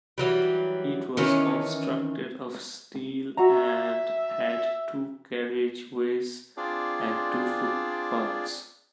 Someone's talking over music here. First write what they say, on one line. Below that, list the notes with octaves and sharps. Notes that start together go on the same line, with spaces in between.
It was constructed of steel and had two carriage ways and two footpaths.
E3 F#3 G3
D#3 E3 C#4
F#4 E5 A#5
C4 D4 F4 G#4 D5